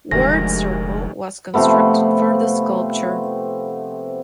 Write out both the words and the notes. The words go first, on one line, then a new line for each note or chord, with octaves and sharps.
Ward Circle was constructed for the sculpture.
F1 D2 D#3 F3 G3 G#3 A#6
C3 F3 A3 B3